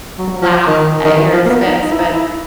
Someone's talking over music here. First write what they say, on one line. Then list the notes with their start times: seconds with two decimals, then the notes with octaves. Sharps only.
laugh at your expense, but
0.18 F#3
0.42 F3
0.67 D#3
1.05 D#3
1.17 E3
1.33 F3
1.45 A#3
1.49 B3
1.66 D#4
1.82 D#4
1.91 E4
1.99 D#4
2.15 E4